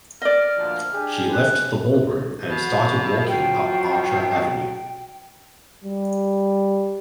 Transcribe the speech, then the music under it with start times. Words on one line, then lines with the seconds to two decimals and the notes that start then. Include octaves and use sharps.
She left the ballroom and started walking up Archer Avenue.
0.22 D5 D#5 F6
0.58 D2 A#2 F3
0.92 D4 G4 G#4
1.33 F#6
2.49 B2 F#3 F#4
3.28 F3 G5
5.84 G3